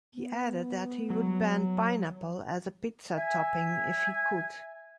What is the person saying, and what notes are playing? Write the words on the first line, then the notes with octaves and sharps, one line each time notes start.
He added that he would ban pineapple as a pizza topping if he could.
B3
F#3
E5 G#5